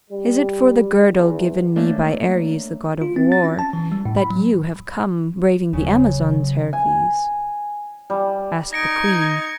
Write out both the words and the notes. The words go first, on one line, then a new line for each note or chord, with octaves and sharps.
"Is it for the girdle given me by Ares, the god of war, that you have come, braving the Amazons, Heracles?" asked the queen.
G3
E2
A3 A#3 C#4 D4 A4
F4
C4
A6
C#4
A5
E3
G3
A2
B5
F#3
D#1 C#3 F#3
G#5
G3
D#4 G#6 A#6 C#7 D7